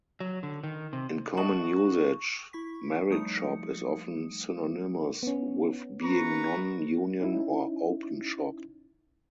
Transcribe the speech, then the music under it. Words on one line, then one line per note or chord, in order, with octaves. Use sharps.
In common usage, "merit shop" is often synonymous with being non-union or open shop.
F#3
D3
D#3
C3
F#4 D#5 A5 C#6
E4 C#6 B6
F3 G3 A3 D#4 D#6 C#7
B3 C#4
B4 A#5 C#6
C#4 D#4 E4